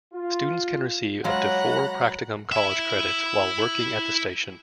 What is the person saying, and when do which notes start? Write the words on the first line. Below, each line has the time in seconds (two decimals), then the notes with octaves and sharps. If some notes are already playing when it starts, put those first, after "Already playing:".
Students can receive up to four practicum college credits while working at the station.
0.14 F4
1.24 F#3 G#3 C#5 F5 F#5 A#5 B5 F#6
2.52 E4 E5